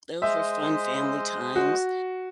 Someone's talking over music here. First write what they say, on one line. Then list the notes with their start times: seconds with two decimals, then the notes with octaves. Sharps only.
those were fun family times,
0.22 G#3 C5 D#5 E5
1.56 F#4